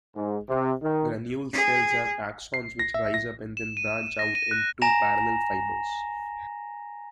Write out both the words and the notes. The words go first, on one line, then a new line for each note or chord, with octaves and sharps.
Granule cells have axons which rise up and then branch out into parallel fibers.
G#2
C3
D#3
G#4
C7
A#6
E5
A#6
E7
D#7
A#6
D#7
F#6
G#5 A#5 A#6 E7 F7